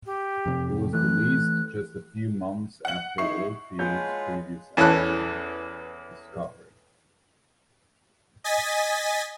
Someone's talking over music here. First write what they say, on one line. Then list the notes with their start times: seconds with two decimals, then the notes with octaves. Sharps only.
It was released just a few months after Oldfield's previous album, "Discovery".
0.05 G4
0.46 F2 C3
0.93 E3 A3 F#6
2.85 F#5 F#7
3.18 D#4 E4 C#6 C7
3.79 G#3 F4 G#4 B4 C#5 F#5 A5 G6
4.77 E2 E3 C#4 A4 F#6
8.44 D#5 G#5 A6 B6